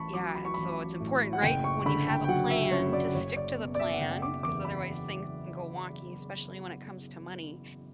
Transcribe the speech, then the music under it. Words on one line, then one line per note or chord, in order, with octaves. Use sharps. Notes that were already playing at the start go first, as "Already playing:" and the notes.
yeah and so it's important right, when you have a plan, to stick to the plan, 'cause otherwise things can go wonky, especially when it comes to money.
Already playing: A1 A5 B5 C#6
F#3 D6
B5
C#6
A1 B5
A2
F#5
F#1 G5
C#6
D3 B5
G5
G5
F#3 F#5
E5
F#2 C#5
D5
F#1 C#5
D5
B2
D5
E5
F#5
F#1 G5
D6
E2 D6
B5